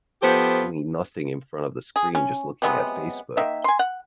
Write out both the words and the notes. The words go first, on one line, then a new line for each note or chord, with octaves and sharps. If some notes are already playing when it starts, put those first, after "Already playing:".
doing nothing in front of the screen just looking at Facebook.
F3 B3 G4 A4 C5
G#4
C#4
C3 F#3 G#3 B3
D#3 A#3 E5
G#5 C6
F#5